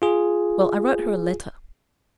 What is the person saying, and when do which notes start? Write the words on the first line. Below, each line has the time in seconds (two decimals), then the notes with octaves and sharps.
Well, I wrote her a letter.
0.02 F4 G#4